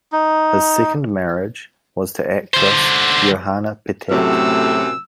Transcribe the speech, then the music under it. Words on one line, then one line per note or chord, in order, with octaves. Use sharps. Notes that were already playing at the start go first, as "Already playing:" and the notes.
His second marriage was to actress Joanna Pettet.
D#4
D3 C5
F#2 A2 C3 F#3 A3 E6